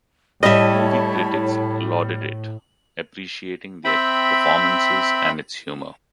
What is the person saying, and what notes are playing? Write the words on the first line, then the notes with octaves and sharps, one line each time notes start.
Movie critics lauded it, appreciating their performances and its humor.
A2 G3 C#5 D#5 E5 A5 B5
C4 E5 G5 B5